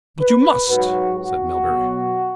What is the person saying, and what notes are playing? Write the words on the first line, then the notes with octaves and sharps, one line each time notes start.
"But you must," said Melbury.
B4
G#2 F#3 F#4
F#4
B2 F#3